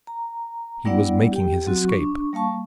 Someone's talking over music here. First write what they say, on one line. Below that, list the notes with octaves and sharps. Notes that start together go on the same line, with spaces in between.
He was making his escape.
A#5
G3 B3 D4 E4 D5 F#5
G4 G5
F#3 C4 F#4
D4 C#6
G3 A#3 F5 A5 C#6